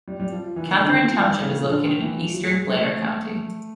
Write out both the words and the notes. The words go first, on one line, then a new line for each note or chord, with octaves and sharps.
Catharine Township is located in eastern Blair County.
G3
G3
F3
F3
E3
D#3
D3
D#3
F3
E3
D#3
C#3
A#2
D3
D#3
E3
F3
F#3
G#3
A3